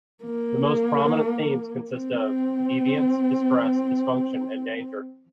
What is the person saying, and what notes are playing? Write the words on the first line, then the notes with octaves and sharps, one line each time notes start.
The most prominent themes consist of: "deviance, distress, dysfunction and danger".
A#3
C4